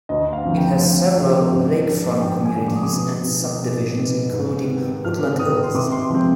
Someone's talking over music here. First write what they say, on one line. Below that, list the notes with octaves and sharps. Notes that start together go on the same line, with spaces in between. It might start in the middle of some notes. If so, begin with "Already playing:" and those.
It has several lakefront communities and subdivisions, including Woodland Hills.
D2 D#5
F5
D3 F3 C4
G5
D2
D3 F3 C4
G#2 G5
F3 G#3 D4
G#2 G5
G#5
F3 G#3 D4
D6
D#6
D6
B2 D#6
B3 D#4
D6
B2
B3 D#4
G#2
D#3 B3
G#2 F6
D#3 B3 D#6
C6
C3 D6
C6
F3 G#3 C4 C6